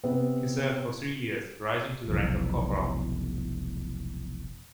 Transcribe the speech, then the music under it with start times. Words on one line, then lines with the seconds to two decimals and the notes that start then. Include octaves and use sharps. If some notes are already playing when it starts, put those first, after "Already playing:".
He served for three years, rising to the rank of corporal.
0.04 C3 B3 C4 B4
2.07 F1 B1 E2